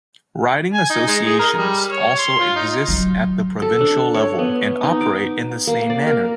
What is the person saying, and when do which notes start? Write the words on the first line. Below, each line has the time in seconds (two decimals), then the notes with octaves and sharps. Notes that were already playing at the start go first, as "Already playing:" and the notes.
Riding associations also exist at the provincial level and operate in the same manner.
0.74 G#5
0.90 D#4
1.08 G#3
1.25 G#4
1.39 A#4
1.56 G3
1.90 C#5
2.18 C6
2.40 F4
2.56 D#4
2.88 F#3
3.62 A4
3.81 D4
4.14 C#5
4.39 B3
4.84 D#4
5.01 D6
5.67 A#3
5.90 D5
6.07 A#4